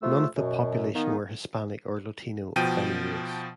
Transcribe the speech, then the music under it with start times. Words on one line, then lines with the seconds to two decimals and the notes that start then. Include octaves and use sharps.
None of the population were Hispanic or Latino of any race.
0.03 F2 C3 A3 F4 E6
0.37 F#2 B2
0.95 D#3 A#3 B3 D#4
2.56 B2 F3 G5 D#7